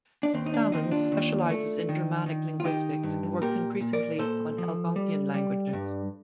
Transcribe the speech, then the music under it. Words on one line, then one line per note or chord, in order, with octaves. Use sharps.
Salmons specializes in Germanic linguistics and works increasingly on Algonquian languages.
D4
D#2 C4
D#4
D4
D#2 C4 D#4
D4 F4
D#2
A3
D#3
D#3
F4
D#3 D#4 G4
G2
A#2 G4 A#4
A#2
A#4 D5
A#2 A4 C5
F3
G3
G3
G2